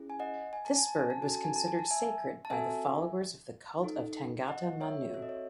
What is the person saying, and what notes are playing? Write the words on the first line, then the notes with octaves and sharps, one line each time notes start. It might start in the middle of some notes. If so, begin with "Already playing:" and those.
This bird was considered sacred by the followers of the cult of Tangata manu.
Already playing: C#4 E4 G#4
G#5
D#5 F#5
G#5
A5
G#5
A5
G#5
A5
C#4 F#4 A4 G#5
A5
G#5
A5
G#5
A5
E5 G#5
A5
C4 F#4 A4 E5 G#5
D#4 A4
D#5 F#5
C#5 E5
C4 F#4 A4 E5
D#5
C#5